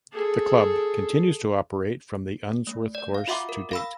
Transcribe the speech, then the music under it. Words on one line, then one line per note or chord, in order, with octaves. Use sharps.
The club continues to operate from the Unsworth course to date.
G#4 A4
A3
D5
F5
F4 F#4 E5 F#5 C6 D6
A#4
F5 B5 E6